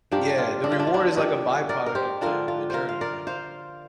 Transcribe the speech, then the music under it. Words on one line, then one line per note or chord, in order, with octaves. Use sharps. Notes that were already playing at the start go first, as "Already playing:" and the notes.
Yeah, the reward is like a by-product of the the journey kinda.
G2 F3 A#3 D4 G4
F4
D4
F4
D4
F4
D4
D4 G4
A#4 D5
A#4
G4 C5
D3 F3 D4 F4 A#4
F4
F4 A#4 C5
F5
A#4 D5
C5 F5